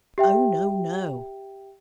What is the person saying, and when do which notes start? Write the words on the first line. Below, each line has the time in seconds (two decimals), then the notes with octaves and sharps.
O no, no.
0.18 G4 E5 G5